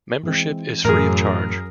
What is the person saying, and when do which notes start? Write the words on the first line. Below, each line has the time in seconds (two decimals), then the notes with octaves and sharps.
Membership is free of charge.
0.23 E3 G#3 C4
0.85 F#2 A2 E3 G#4 A#4